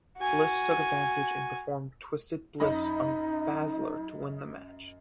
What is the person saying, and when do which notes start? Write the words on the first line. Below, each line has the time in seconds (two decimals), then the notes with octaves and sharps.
Bliss took advantage and performed Twisted Bliss on Baszler to win the match.
0.19 F#4 G#5
2.60 F#2 D#4 D#5 B5